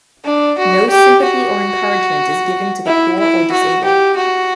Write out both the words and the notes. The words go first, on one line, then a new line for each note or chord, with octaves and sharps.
No sympathy or encouragement is given to the poor or disabled.
D4
F#4
G4
F#4
E4
E4
F#4
G4
F#4